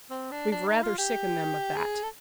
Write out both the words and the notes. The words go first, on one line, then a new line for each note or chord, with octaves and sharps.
We've rather sickened them of that.
C4
D4
D4
D#4
F4
G4
G#4
A4